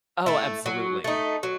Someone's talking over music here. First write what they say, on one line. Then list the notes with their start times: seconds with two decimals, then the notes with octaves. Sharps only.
Oh, absolutely.
0.26 A3 E4
0.66 F#3
1.04 A3 D#4
1.43 F#3